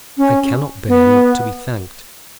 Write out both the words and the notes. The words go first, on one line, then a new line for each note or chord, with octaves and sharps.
I cannot bear not to be thanked.
C#4
B3